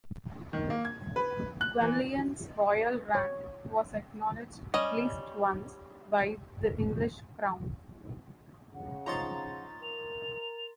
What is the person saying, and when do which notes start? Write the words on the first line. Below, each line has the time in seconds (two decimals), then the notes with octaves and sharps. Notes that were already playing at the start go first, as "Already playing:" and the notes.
Gwenllian's royal rank was acknowledged at least once by the English Crown.
0.53 D#3
0.70 A#3
0.85 G#6
1.16 B4
1.61 F#6
1.81 E3
3.15 C#5
4.74 G3 C#4 D#5
8.74 C#3 F#5
9.06 F3 D#4 C#5 A#5 C6 A6
9.83 A#4 F7